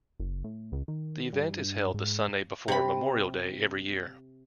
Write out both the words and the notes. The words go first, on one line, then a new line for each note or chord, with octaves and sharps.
The event is held the Sunday before Memorial Day every year.
F#1
A2
C#2
D#3
G2
G#2
C3 B5